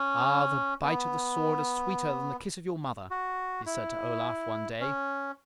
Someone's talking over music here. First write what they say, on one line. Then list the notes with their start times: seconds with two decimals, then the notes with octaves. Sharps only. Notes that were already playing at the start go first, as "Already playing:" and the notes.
"Ah! the bite of the sword is sweeter than the kiss of your mother," he said to Olaf one day.
Already playing: C#4
0.83 B3
3.11 F#4
3.66 E4
4.80 C#4